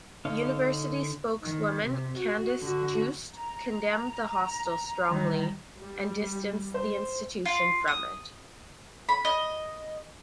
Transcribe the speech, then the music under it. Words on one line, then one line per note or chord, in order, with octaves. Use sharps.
University spokeswoman Candice Jooste condemned the hostel "strongly" and distanced the institution from it.
D3 D#4 C#5 F5
D#3
C3
F#4
D3 F#4
A#5
D#3 G3
G3
C5
F4
D#6
B5
D#5